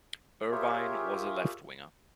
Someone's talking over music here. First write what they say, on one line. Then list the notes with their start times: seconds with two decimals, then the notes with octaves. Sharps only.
Irvine was a left winger.
0.51 F4 G4 G#4 A#4 C#5 E5